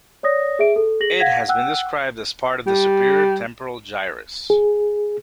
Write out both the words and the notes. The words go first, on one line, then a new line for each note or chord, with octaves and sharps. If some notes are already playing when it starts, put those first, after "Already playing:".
It has been described as part of the superior temporal gyrus.
C#5 D5 D#6 A#6
G#4 E5 D7
A4
G#4 A#6 F#7
F5 F#5 G#6 A#6 B6
F#5 G5 E6 F#6
G3
G#4